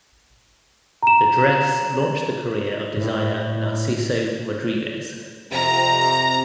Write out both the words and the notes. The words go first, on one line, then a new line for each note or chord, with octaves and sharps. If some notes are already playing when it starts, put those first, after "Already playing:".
The dress launched the career of designer Narciso Rodriguez.
A#5 E7
A2
F2 C3 A#5